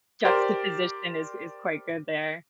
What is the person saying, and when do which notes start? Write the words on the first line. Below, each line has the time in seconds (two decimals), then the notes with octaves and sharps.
juxtaposition is is quite good there.
0.25 G4 A#4 C5 D5